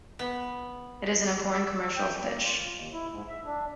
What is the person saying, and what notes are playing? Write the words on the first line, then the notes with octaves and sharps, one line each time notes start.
It is an important commercial fish.
B3
E6
G5
A#3
F4
D#2
E4
G#2
E5
D4